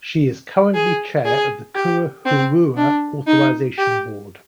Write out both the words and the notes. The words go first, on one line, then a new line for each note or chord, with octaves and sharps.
She is currently Chair of the Kura Hourua Authorisation Board.
G#4
G#4
G4
C4
D4
D#4
G4